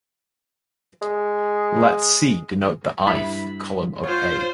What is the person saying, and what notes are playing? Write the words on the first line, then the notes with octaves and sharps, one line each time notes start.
Let "c" denote the "i"-th column of "A".
G#3
G2 E4 B5
F4 C5 C#5